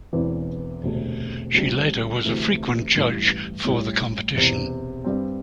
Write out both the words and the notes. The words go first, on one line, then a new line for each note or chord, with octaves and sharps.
She later was a frequent Judge for the competition.
E1 E2 E3 C4 E4
E1 D2 C3 A3
D2 C3 G3 D4 G4
D2 C3 E3 A3 E4
A1 G2 E3
A2 G3 E4 G4
E1 E2 C3
G2 G3 C4